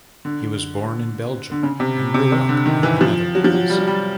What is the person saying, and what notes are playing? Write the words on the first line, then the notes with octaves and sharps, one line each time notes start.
He was born in Belgium and grew up in the Netherlands.
D3
D3
C#3
C3
C3
C3
D3
D#3
E3
F3
F#3
F3
F#3
G3
F#3
G3